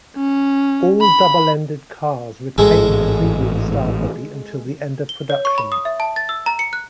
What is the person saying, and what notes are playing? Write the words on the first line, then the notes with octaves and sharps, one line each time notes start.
All double ended cars retained the pre-war style body until the end of production.
C#4
B5
A1 G#2 G#3 G#4 A4
G7
C#5
C#6
B5
D#6
E5
A5
A6
E6
A#5
C#7
F#6